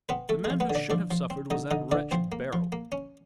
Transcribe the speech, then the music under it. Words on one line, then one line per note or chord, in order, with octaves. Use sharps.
"The man who should have suffered was that wretch Beryl."
B3 C4 B4
A3 A4
G#3 G#4
F3
B3 B4
D3
D4 D5
F3 D4 D5
F3
C4
D3 D#4 D#5
D3 D#4 D#5
D3 D4 D5
F3 C4 C5
A#3
F3
A#3
C#4